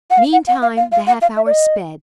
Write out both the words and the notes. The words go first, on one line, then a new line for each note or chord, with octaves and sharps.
Meantime, the half-hour sped.
F#5
F5
F#5
F#5
F5
F5
F5
F#5
F5
E5
D5
D#5